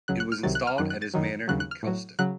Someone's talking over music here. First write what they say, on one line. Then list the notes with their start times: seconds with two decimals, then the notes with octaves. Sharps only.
It was installed at his manor in Kelston.
0.08 C#2 C#3 F#3 F#6
0.20 F#6
0.32 F6
0.43 C2 C3 D#3 F#3 A6
0.55 F#6
0.67 F6
0.78 F#2 D#3 F#3 F#6
0.90 F#6
1.02 A6
1.14 F#2 D#3 F#3
1.48 D#2 C#3 F#3 F#6
1.60 F#6
1.71 F6
1.83 A2 F#3
2.19 C#3 F#3 F#6